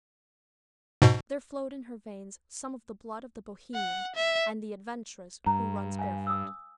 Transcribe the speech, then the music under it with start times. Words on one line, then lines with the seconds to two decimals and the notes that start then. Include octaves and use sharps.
There flowed in her veins some of the blood of the bohemian and the adventuress who runs barefoot.
1.02 G#2 B2
3.74 F#5
4.15 E5
5.46 G2 A#5
5.99 F5 G#5
6.27 D#6 E6